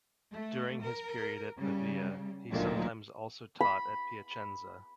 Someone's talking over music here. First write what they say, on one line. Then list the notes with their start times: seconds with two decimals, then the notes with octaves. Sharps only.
During his period at Pavia he sometimes also taught at Piacenza.
0.33 A3
0.84 A#4
1.56 C#3 G3
2.50 D2 A#2 D3 D#3 F#3 A#3
3.61 B5